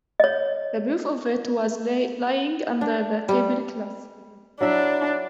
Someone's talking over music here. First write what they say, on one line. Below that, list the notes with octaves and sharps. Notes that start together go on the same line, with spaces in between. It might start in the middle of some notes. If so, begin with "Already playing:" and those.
The proof of it was lying under the table-cloth.
C#5 D#5
D4
G3
F#3 D4 E4 E5